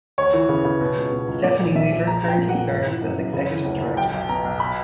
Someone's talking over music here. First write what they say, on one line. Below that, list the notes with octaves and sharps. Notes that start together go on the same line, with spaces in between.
Stefanie Weaver currently serves as executive director.
D2 C#5
E3
C#3
C#3
B2
C#2
B2
C#2
A#2 D5
A#1
A#2 E5
A#1
A#1 A#5
A#1
G5
A#2
F#5
A#2
G1
E3
F#2
F#2
C#3
E3
D2
D2
B1 G5
B1
B2 A#5
B1
B5